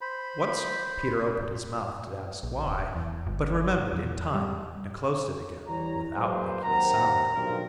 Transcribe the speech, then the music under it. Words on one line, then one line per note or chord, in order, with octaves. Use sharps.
Once Peter opened his mouth to ask why, but remembered in time and closed it again without making a sound.
C5 B5
A#1
D#1
E2
G1
E2
G3
E3 G3 C#5 A#5
F#3 G#3 A#3 B4 C5
D#2 C4 A#4 F#5 A#5
B1 G2 A#3 C4 A#4